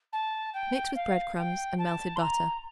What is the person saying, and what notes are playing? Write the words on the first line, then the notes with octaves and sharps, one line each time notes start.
Mix with bread-crumbs and melted butter.
A5
G5
F5
G5
A5
C6
A#5